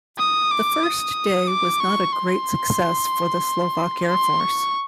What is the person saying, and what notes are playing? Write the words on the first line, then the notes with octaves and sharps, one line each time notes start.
The first day was not a great success for the Slovak Air Force.
D#6
D6
D#6
D6
C#6
C6
C6
C#6